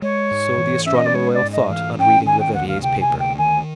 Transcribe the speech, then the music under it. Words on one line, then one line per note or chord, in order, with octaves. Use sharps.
So the Astronomer-Royal thought on reading Leverrier's paper.
G#3 C#5
G#2
E3
C#4 E5
D#5
D5
G#3 C#5
D5
G#2
D#5
E3 F5
C#4 G5
D#3 G#5
G5
D2 F#5
F5
C3 G5
G#5
D2
G5
D#3 G#5